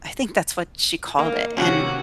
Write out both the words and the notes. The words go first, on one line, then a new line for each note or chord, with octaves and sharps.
I think that's what she called it, and
A#3
C3 D#3 A#3 C#4 F#4